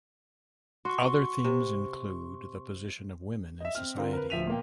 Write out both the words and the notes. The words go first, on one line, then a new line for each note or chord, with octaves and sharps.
Other themes include the position of women in society.
F#4 C6 C#6
C3
D#5 E5
C4 F6
D3 C4 F4 A#4
A#4 B4
D1 F3 E5 B6 D#7 F7
A#2 A#3 G5